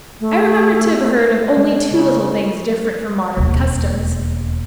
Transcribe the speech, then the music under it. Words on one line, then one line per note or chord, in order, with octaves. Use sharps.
I remember to have heard of only two little things different from modern customs.
A3
G#3
C#3
E1 D#2